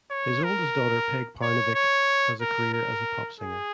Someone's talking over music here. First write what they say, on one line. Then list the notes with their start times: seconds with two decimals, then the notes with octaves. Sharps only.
His oldest daughter Peg Parnevik has a career as a pop singer.
0.11 C#5
0.44 A#4
1.43 C#5
1.75 C#5
2.41 A#4
2.74 A#4
3.41 G#4